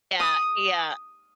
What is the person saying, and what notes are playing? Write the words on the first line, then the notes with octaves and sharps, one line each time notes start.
Yeah, yeah.
D#6